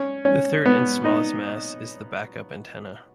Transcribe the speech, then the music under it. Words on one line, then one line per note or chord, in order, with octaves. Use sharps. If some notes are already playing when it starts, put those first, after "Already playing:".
The third and smallest mast is the backup antenna.
Already playing: C#4 C#5
C#4 C#5
B3 B4
D#4 D#5